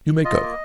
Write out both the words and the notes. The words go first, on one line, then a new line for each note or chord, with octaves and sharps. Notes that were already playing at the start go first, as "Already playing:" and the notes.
"You may go."
F4 D#5
A#3